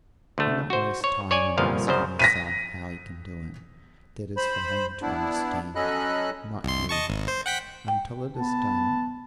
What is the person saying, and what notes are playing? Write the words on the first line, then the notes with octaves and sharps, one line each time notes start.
Do not waste time in asking yourself how he can do it: that is for him to understand, not you--until it is done.
D2 A3
F#4 C5
C#5
C#5 D5 G#5
G1 C2 A#2 F3 F5
C2 F#2 C#3 C5
A#6 B6 D#7
C5 B5
B3 D4 E4
F#3 C#4 A4 D#5 B5 F#6
C2 C6
D#5 A5 C#6
G#1
C5
F#5 G5 B6
G5
B3 A5